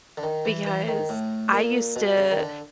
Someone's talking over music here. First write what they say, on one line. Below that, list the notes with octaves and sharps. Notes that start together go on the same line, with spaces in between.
because I used to
D3
D#3
E3
E3
D#3
A2
A#2
B2
C#3
D#3
D3